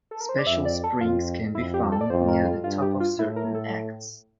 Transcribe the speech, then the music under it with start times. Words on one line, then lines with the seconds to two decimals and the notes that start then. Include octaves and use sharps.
Special Springs can be found near the top of certain acts.
0.11 A4
0.21 A#4
0.29 C5
0.39 D5
0.46 F2 E5
0.65 D5
0.84 A4
1.01 F2 F4
1.55 F2 E4
1.74 G4
1.92 A4
2.01 D5
2.10 F2 C5
2.28 A#4
2.45 F4
2.64 G2 F4
2.82 G4
3.00 F4
3.18 A2 E4
3.36 A#4
3.54 A4